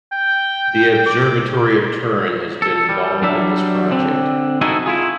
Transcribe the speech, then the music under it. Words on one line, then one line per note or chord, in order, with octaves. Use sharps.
The Observatory of Turin has been also involved in this project.
G5
D6
A4
G3
F#3 G3 D4 E5
D3 C4
D#4 E4 F#4 G#4 A4 D#5
E4 F4 G#4